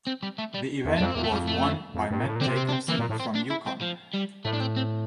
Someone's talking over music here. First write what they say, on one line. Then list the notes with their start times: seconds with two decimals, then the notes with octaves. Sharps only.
The event was won by Matt Jacobson from Yukon.
0.07 C4
0.23 G3
0.38 A3
0.54 G3
0.85 E2
0.97 F2 D4
1.06 C4
1.15 E2 A#3
1.24 A3
1.31 F2 G3
1.47 A3
1.95 F2
2.11 G2
2.20 A#2
2.26 A2
2.36 A#2
2.41 D3 C4
2.46 C3
2.57 C4
2.69 D4
2.73 C4
2.88 E3 A#3
2.99 A#2
3.09 A2
3.20 C4
3.35 D4
3.50 E4
3.67 C4
3.82 F3
4.14 G3
4.45 A2 A3
4.53 D4
4.60 C4
4.76 C4